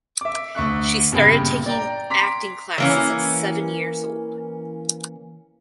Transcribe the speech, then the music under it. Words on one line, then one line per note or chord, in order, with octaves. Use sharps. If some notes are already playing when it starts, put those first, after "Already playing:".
She started taking acting classes at seven years old.
E5 D6
D2 E5 C#6 F#6
G1 G2 A#2 C#3 G5 B5
D5 G5 A#5
A#5 C6 D6 B6
E3 A#3 C#4